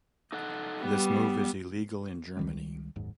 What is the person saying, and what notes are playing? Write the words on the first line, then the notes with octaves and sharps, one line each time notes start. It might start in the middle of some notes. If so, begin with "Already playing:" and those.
This move is illegal in Germany.
D#4 A4 F#5
G3 B3
C#2 D#3 G3
F#1 D#2 G#2